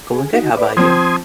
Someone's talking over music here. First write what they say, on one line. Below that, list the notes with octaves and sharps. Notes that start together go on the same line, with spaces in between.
Going good, how 'bout you?
G#4
D#4 F#4
B4 D5
F3 C4 C6 D#6 G#6